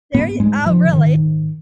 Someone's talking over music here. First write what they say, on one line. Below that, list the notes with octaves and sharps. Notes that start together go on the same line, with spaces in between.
There you oh, really?
G#2 B3
G#2 G#3
G#2 F3
D3
G#2 D#3
G#2